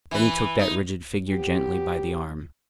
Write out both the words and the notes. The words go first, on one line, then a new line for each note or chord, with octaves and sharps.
Then he took that rigid figure gently by the arm.
E3 B4
D#4
F#3 B3 G4